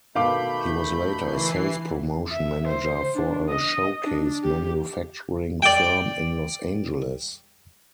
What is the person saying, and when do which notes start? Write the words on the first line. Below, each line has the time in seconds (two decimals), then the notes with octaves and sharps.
He was later a sales-promotion manager for a showcase-manufacturing firm in Los Angeles.
0.15 B2 D#3 A3 F5 B5 D6 G6
1.21 E3 C7
2.32 E5
2.68 C5
3.15 D4
3.49 D#5
4.03 D4
4.44 G4
5.62 D5 G5